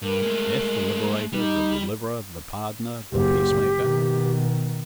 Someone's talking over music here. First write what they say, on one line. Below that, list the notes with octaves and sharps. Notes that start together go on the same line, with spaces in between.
Death the liberator, the deliverer, the pardoner, the peace-maker!
G2 A#4
G#3 A3
G3 D#4
F#1 G4
B2 D#3